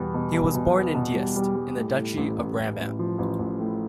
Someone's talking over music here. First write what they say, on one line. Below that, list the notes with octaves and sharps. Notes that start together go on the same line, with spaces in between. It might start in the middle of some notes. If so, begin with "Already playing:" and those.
He was born in Diest, in the Duchy of Brabant.
Already playing: E2 B2 G3 B3
B2
B2
B2
B3
B2
G3
G3
G3
A2
A2
A1
A1
A1
A1
F3
A1
A1
A2